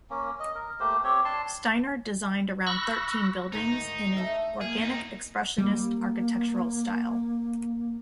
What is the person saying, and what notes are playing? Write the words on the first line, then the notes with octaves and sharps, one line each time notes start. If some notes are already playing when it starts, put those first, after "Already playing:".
Steiner designed around thirteen buildings in an organic-expressionist architectural style.
A#3 C#4
D#5
A#4
A3 A#3 G4 C5
C4 G4 C#5
D4 A5 C6
B5 C#6 E6 F#6 A#6
D2 G#2 D#3 D#4
A3 D#5 E5
F#2 A#3 G#4 A#4
E2 D#4
G3 A#3